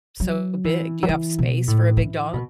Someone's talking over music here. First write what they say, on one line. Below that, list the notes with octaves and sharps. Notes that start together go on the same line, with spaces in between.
so big? Do you have space for a big dog?
F#3
E3
F#3
E3
B2
A2
E3
B2